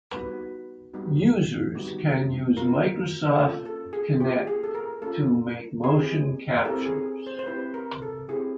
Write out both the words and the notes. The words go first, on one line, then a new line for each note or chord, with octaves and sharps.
Users can use Microsoft Kinect to make motion captures.
G3 B3 D#4 F#4 B4
G3 B3 D#4 F#4
G3 B3 D#4 F#4
A#3 C#4 F4 A#4
A#3 C#4 F4 A4
A4
G#4
A#3 C#4 F4 G4
G#4
A4
A#4
A#3 C#4 F4 A4
C4 E4 G4 G#4
A#4
C4 E4 G4 A4
G#4
C5
C5
C4 E4 G4 B4
A#4
A4
C4 E4 G4 G#4